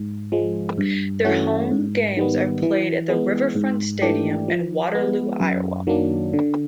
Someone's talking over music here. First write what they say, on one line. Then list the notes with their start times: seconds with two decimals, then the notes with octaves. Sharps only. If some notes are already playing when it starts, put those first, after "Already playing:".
Their home games are played at the Riverfront Stadium in Waterloo, Iowa.
Already playing: G#2
0.32 F3 G#3
0.78 G2
1.25 E3 A3 C#4 F#4
1.71 G#2
2.17 D#3 G3 B3
2.62 E3
3.09 G#3 B3
3.55 G#2
4.02 E3 A3 D4 G4
4.48 F3
4.95 G#3 B3
5.40 F#2
5.87 D#3 F#3 A#3 D4
6.33 D3